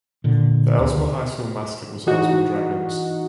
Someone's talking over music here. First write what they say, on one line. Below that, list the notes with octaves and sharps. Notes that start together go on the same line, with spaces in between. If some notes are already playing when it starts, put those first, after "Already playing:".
The Elsmore High School mascot was Elsmore Dragons.
A#2 D3
D2
E3 D#4 F#4